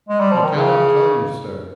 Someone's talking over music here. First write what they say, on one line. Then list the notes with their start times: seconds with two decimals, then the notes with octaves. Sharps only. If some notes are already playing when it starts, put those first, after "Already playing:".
"I cannot tell you, sir."
0.09 G#3
0.20 G3
0.31 F3
0.43 D#3
0.55 C#3